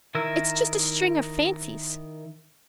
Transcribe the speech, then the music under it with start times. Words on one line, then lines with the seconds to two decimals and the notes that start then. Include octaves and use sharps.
It's just a string of fancies.
0.15 D#3 E4 A#4 E5